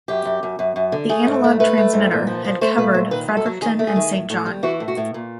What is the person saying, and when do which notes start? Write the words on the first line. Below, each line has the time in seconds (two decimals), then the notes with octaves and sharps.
The analog transmitter had covered Fredericton and Saint John.
0.08 F#2 G4
0.25 F#2
0.43 F#2
0.59 F#2
0.76 F#2
0.92 D3
1.09 A3 G#4
1.27 G#2
1.44 A3
1.60 A3 B4
1.78 A3
1.93 G#2
2.11 A#2
2.27 F3
2.44 F3
2.61 A3 C5
2.78 A#2 B4
2.94 A#2 C5
3.11 D#3 B4
3.28 F#2
3.37 A4
3.46 F#3
3.62 D#3 G#4
3.79 A3
3.87 G#4
3.96 D#3
4.12 A2
4.30 A2
4.46 G3
4.63 E3 F#4
4.80 A2
4.88 F#4
4.97 A2
5.14 A#2